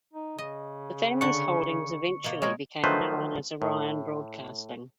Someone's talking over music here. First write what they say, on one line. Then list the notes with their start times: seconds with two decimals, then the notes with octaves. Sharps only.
The family's holdings eventually became known as Orion Broadcasting.
0.13 D#4
0.38 C#3 D#5
1.21 D3 F#5 C#6 C#7
2.24 B2 A#3
2.42 G#3 A#4 C#5
2.84 D#3 F3 F#3 A3 B4 C5
3.62 A2